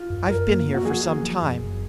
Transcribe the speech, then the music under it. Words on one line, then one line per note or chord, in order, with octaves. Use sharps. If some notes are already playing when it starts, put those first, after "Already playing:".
I've been here for some time.
Already playing: F4
F#2
F#2 A#4
A#3
A#3
F#4
F3 G#4
A#3
F3
F#2
F#1